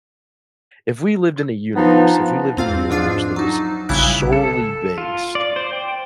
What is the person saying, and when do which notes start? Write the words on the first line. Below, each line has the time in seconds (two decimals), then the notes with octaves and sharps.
if we lived in a universe if we lived in a universe that was solely based
1.76 F3 B3 D4 D#4
2.57 E2 C4 F4 F5
2.90 G#2 F3 D4 F4
3.36 F#3 D#4
3.89 A#1 C#3 G3 B3 E4 F#6
4.33 A4
4.98 F4
5.35 D5
5.56 C5
5.73 G5